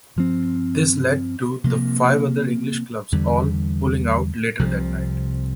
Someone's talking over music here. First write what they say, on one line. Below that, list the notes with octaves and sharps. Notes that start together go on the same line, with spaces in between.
This led to the five other English clubs all pulling out later that night.
G2 F3 C4
C3 F3 A#3
E2 D3 G3
C2 C3 F3